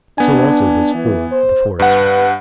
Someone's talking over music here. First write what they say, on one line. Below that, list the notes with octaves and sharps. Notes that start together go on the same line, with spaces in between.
So also was Ford, the forester.
B3 D4 G#5
E3
C5
G2 B4 F#5